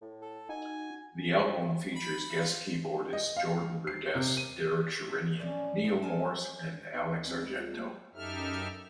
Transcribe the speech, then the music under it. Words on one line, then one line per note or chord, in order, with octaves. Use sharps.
The album features guest keyboardists Jordan Rudess, Derek Sherinian, Neal Morse, and Alex Argento.
A2
A4
D#4 F#4 G#5
B5
F4
D#5
F5
C7
C3
D#7
A2 A3 C#4 D5
A3 B3 G#4
A4 A#4 G#5 A5
D2 B3 D#4 B4 F#5 C6
A#4 D#5
B3 C4
G3 G#3 B3
G#3 F4 F#4 G#4
F#3 A3 A#3
F#2 D#4 G4 A4 E5 F6